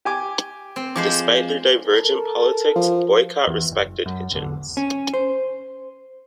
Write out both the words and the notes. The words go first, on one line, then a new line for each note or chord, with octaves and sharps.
Despite their divergent politics, Boycott respected Hitchens.
G4 G#5 D6
C4
F3 G#3 C5 D6
A4 A#4
F3
E2
F#1
F#2
G#1 E2 D3
C#4
C5